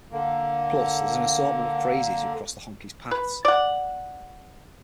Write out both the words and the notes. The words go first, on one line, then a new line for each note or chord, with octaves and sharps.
Plus, there's an assortment of crazies who cross the Honkys' paths.
D3 A#3
B4
D5 F#5